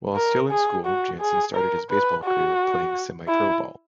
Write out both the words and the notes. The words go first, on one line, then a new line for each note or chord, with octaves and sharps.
While still in school Jansen started his baseball career playing semi-pro ball.
A#4
G#4
F#4
G#4
A#4
B4
F#4
E4